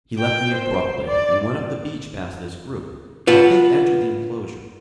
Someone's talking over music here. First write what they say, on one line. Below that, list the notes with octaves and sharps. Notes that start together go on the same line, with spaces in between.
He left me abruptly, and went up the beach past this group, and I think entered the enclosure.
G5
C5
D5
F4 B4 F#5